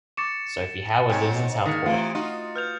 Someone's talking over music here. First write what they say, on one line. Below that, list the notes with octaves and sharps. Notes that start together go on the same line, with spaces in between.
Sophie Howard lives in Southport.
C#6 D6 A6 C#7 E7
G#2 C3 D#4 C#5 G5 G#5
D#3 G#3 A#3 D#6 A6 C#7
C3 E3 A3 F4 F5
D#4 F4 F#4
B4 F6 G6 F7